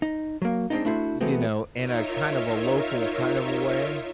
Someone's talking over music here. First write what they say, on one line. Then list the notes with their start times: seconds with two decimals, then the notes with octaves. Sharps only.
you know, in a kind of a local kind of a way.
0.02 D#4
0.42 F#3 A#3
0.70 G#3 C4 D4 D#4
0.85 A3 D4 E4 F#4 C5
1.21 E3 G#3 A3 B3 C4 F#4
1.73 D#4 F4 A#4 C#5 E5